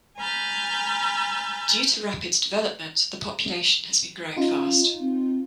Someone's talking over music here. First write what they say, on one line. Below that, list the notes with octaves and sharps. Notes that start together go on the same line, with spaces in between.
Due to rapid development, the population has been growing fast.
G#5 A#5 B5 F6 G6 A6
C#4 D#4 F4
C4